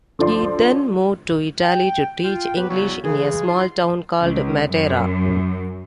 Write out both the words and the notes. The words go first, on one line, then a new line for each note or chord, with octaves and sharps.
He then moved to Italy to teach English in a small town called Matera.
D3 F3 D5 C6
G5
F4 G5
B3 G4 B4
C#3 F#3 G3 B3 E4 F#4
C#3 E3 G#3 G#4
G#2 F4 C6
C#2
F#2